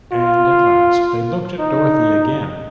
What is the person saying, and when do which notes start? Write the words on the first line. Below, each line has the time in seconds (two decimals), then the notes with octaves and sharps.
And at last they looked at Dorothy again.
0.12 F4
1.59 D#4